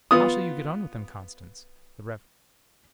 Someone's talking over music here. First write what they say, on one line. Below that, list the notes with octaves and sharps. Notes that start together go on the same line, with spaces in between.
"How shall you get on with them, Constance?" the Rev.
B3 F4 D#6